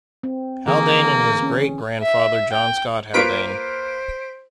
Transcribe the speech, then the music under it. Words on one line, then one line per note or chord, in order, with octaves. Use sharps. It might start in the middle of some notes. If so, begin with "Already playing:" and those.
Haldane and his great-grandfather John Scott Haldane.
C4
D3 E3 A#3 G#4
C#4
E5
G5
A#3 F4 B4 C5 B6 D7